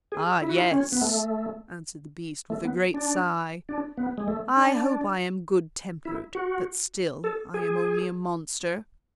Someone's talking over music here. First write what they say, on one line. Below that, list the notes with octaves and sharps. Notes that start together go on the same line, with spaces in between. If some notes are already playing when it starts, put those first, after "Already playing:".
"Ah! yes," answered the beast, with a great sigh; "I hope I am good-tempered, but still I am only a monster."
G#4
E4
F#4
E4
C#4
B3
A3
A3
B3
D4
D4
B3
G#3
A3
D4
E4
F#4
A4
G#4